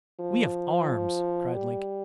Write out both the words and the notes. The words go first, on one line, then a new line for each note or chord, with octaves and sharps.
"We have arms," cried Lincoln.
F3
G3